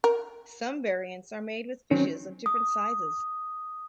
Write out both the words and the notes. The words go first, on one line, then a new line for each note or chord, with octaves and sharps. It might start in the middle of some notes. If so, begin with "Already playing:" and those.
Some variants are made with fishes of different sizes.
A#4
D#3 F#3 C4 C#4
D#6